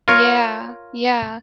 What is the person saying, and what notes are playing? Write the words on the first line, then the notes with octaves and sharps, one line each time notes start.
Yeah. Yeah.
F4 A#4 C#5